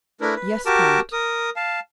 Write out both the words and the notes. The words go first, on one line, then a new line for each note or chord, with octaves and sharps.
"Yes, count."
A3 D4 E4 A#4 B4
B4
F#4 G4 A#4 A5 D6
A#4 D#6
F5 A5